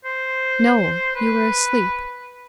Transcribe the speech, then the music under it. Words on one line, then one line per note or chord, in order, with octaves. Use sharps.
"No, you were asleep."
C5
B4